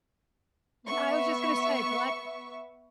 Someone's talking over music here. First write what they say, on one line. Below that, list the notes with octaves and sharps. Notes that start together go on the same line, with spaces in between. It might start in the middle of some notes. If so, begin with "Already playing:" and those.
Yeah, I was just gonna say black
B3 E5 C#6